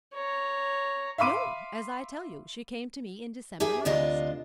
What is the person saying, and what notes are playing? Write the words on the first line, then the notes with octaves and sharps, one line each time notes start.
"No; as I tell you, she came to me in December last."
C#5 A#5
E5 F5 B5 C6 D6 D#7
G4 G#4 A#4 E5 G#5
D2 C3 D4 F4 D#5